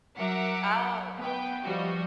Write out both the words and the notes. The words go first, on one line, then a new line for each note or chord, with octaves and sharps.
Oh, okay.
F#3 A#4 E5 F#5 D6
B3 B4 G5
F3 G3 F#4 D#5